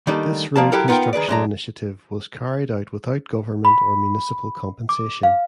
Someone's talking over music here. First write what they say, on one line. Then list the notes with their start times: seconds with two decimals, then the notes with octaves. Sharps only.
This road construction initiative was carried out without government or municipal compensation.
0.07 D#3 G3 A3 A#3 D4 D#4
0.56 F3 G3 A#3 A5
0.72 F#3 E4 G4 A4 A#4
0.88 B3 D#4 F4 G4 A#4 G5
1.13 D#3 G#4 B4 D5
1.28 F#2 G#3 D4 A#5
3.65 B5
4.89 D6
5.23 F5